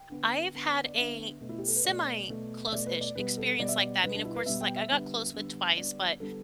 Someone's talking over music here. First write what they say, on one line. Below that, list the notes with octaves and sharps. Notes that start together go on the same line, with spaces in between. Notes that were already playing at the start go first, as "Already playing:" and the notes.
I've had a semi-close-ish experience like that- I mean, of course, it's, like, I got close with Twice, but
Already playing: G5
D3 B3
D3 B3
D5
D3 B3 E5
B2 A3
E4
G4
A4
B4
B2 A3 D5
B2 A3
E5
B2 A3 D5
B4
D5
B2 G3 B3 B4
A4
B2 G3 B3 D5
E5
D5
B2 G3 B3 B4
D4
E4
B4
B2 G3 B3 E5
G5
E5
D3 G3 B3
D3 G3 B3
D3 G3 B3 D5
D3 G3 B3 A4